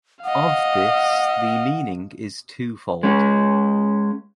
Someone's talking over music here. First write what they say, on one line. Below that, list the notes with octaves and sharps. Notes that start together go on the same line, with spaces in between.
Of this the meaning is twofold.
D#5 F5 F#5
G#3 C#4